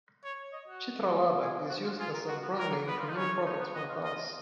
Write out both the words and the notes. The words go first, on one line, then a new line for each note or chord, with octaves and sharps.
"Chitralada" is used as the brandname for many products from the palace.
C#5
D#5
F#4
G#4
F#4
F4
F4 G#4
A#4
F#4
B3
G#3 A#4
A#3
B3 B4
F4
D#4
C#4 C#5
D#4
B3
B3 D#5
F4
F4 D#5